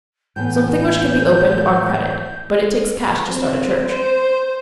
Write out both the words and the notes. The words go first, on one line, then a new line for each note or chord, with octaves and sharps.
Something which can be opened on credit, but it takes cash to start a church.
A2 E3 B3 G6
C4
C5